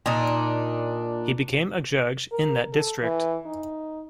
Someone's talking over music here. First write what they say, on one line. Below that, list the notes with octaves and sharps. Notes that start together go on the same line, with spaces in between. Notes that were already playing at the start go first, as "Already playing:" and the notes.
He became a judge in that district.
A#2 D4 D#4
A#4
A4
E3
D#4